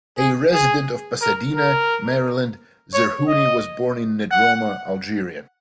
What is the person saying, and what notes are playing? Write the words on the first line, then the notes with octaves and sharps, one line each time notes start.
A resident of Pasadena, Maryland, Zerhouni was born in Nedroma, Algeria.
G#4
G#4
A#4
A#4
C#5
D#5
F#5